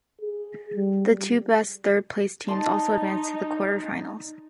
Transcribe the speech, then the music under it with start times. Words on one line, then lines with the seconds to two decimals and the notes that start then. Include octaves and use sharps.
The two best third place teams also advance to the quarter-finals.
0.21 G#4
0.75 G3
2.48 D#4 D5 A5 C6